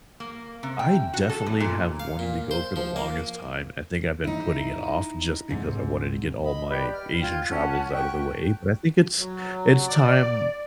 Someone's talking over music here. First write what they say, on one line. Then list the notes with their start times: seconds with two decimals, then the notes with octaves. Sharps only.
I definitely have wanted to go for the longest time. I think I've been putting it off just because I wanted to get all my Asian travels out of the way, but I think it's it's time
0.20 A#3
0.63 C3
0.79 G5
1.14 F#4
1.29 A4
1.46 E2
1.60 A#2
2.00 F5
2.19 A#2
2.51 C5
2.76 F3
2.96 A#3
4.24 D#4 E4
5.49 G#2 C3
6.43 D#5 B5
6.70 G4 B4 D5 G5
6.93 F6
7.22 F4 G5 G#6
7.50 C#4 F#5 A5
7.92 G5 C#6 F#6
9.18 F#3
9.88 D5